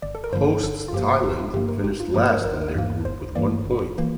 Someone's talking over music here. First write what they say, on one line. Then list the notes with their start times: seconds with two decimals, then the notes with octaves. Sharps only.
Hosts Thailand finished last in their group with one point.
0.02 G1 D5
0.15 A4
0.24 A#4
0.32 G2 D3 F3 A#3 C5
0.63 G1 A4
0.88 F4
0.93 G2 D3 F3 A#3 G4
1.24 G1 G4
1.39 F4
1.54 G2 D3 F3 A#3 G4
1.68 A#4
1.84 G1 G4
2.00 F4
2.14 G2 D3 F3 A#3 G4
2.30 A#4
2.37 C5
2.45 G1 A#4
2.53 C5
2.61 A#4
2.75 G2 E3 A#3
3.05 G1 C5
3.35 G2 E3 A#3 D5
3.65 G1
3.98 E3 A#3